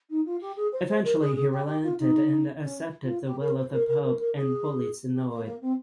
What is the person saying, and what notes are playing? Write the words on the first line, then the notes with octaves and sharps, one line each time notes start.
Eventually he relented and accepted the will of the Pope and Holy Synod.
D#4
F4
G4
G#4
C5
C5
A#4
G#4
G#4
G4
G4
F4
D#4
C#4
F4
G4
A#4
C5
A#4
A#4
A#4
A#4
G#4
G4
A#3
A#3
C4